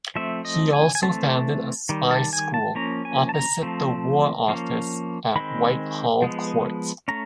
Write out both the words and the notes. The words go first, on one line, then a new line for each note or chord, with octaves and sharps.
He also founded a spy school opposite the War Office at Whitehall Court.
F3 A3 C4 E5
D#5
G#5
G#5
E3 A3 C4 A5
D#3 G3
A5
G#5
A5
F3 A#3 C#4 A#5
G#5
A5
A#5
F3 A3 C4
F3 A#3 C#4
D#3 G#3 C4 B5
F3 G#3 B3
A3 C#4 A#5